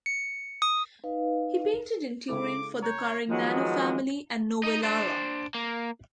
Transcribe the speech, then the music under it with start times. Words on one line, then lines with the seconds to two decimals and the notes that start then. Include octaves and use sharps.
He painted in Turin for the Carignano family and Novellara.
0.06 C#7
0.62 D#6
1.04 D#4 B4 D#5 F5
2.29 C#3 G#3 E4 A4 D6
2.83 C#5 A#5 F#6 G6
3.29 D#3 F3 F#3 G#3 B3
4.63 D#4 D#5
4.83 D4 C5
5.55 A#3